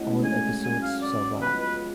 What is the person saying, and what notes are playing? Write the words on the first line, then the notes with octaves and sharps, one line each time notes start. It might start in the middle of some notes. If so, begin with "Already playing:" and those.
All episodes survive.
Already playing: A2 G#3 C#4 F#4
G#5
F#3 C#4 F#4 G#5
F5
D5
F3 G#3 B3 B4
B4